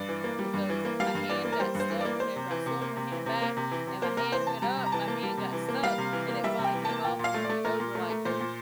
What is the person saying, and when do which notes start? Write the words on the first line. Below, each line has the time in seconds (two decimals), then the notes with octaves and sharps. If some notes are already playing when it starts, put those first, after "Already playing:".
because my hand got stuck whenever I swung my hand back, and my hand went up, my hand got stuck, and it finally came off, and it went over, like, the
Already playing: G2 D5
0.09 E3
0.24 A#3
0.39 G3
0.54 G2
0.69 E3
0.85 A#3
1.00 G3 F5
1.15 G2
1.29 E3 D5
1.45 A#3
1.52 A#4
1.60 G3 C5
1.75 G2
1.80 C5
1.90 E3
2.01 A#3 D5
2.20 A#3 C5
2.36 C3
2.51 E3
2.66 C3
2.81 A#3
2.97 C3
3.11 E3
3.26 C3
3.42 A#3
3.57 C3
3.71 E3
3.87 C3
4.02 A#3 C5
4.17 C3 A#4
4.32 E3 C5
4.47 C3 A5
4.62 G3 A#5
4.77 C3
4.86 A#5
4.92 E3 A5
5.08 A#3
5.23 G3
5.37 C3
5.53 E3
5.68 A#3
5.83 G3 F5
5.98 C3
6.13 E3
6.28 A#3
6.44 G3 E5
6.59 C3
6.64 G5
6.74 E3
6.85 A#3 A5
7.04 A#2 G5
7.19 A#2 F5
7.34 A3
7.44 D5
7.50 A3
7.65 A#2 A#4
7.80 A#2
7.95 A3
8.10 A3
8.25 A#2 C5
8.41 A#2